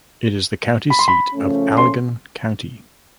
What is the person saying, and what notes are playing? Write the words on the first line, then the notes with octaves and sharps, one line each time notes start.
It is the county seat of Allegan County.
B5
C6
B5
C#3 F3 A3 C#4
C6